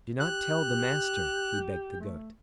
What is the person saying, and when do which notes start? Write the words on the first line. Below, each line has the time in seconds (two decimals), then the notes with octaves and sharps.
"Do not tell the master," he begged the Goat.
0.20 G4 F#6
2.00 A3